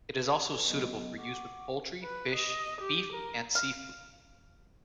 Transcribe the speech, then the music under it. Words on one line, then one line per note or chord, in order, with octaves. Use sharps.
It is also suitable for use with poultry, fish, beef, and seafood.
B4
D#4 A4 B4 G#5
F#3 B3 A4 D#5
F#5 C#6 D6
A#4 G#5
B4
D#5
G4
A#4
F5